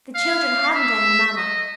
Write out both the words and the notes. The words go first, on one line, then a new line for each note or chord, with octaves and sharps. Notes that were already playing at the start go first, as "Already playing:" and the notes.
The children hadn't any Mamma.
F5
E5
D#5